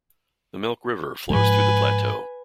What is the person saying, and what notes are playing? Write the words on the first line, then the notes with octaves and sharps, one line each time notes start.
The Milk River flows through the plateau.
G#2 F3 G#3 B4 G#5